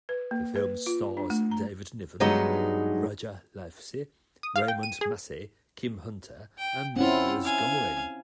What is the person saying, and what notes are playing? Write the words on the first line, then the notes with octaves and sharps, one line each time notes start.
The film stars David Niven, Roger Livesey, Raymond Massey, Kim Hunter and Marius Goring.
B4
A#3
B4
F4
D4
A3
A#5
G2 F#3 G#3 B3 D#4 D#5
D#6
F5
G5
D#7
G#4
G5
C4 C#4 E4 F4 F#5
F5 G#5